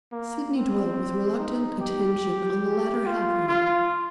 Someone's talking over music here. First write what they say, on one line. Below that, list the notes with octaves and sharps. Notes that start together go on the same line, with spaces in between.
Sydney dwelt with reluctant attention on the latter half of it.
A#3
C4
D#4
G4
F4
F4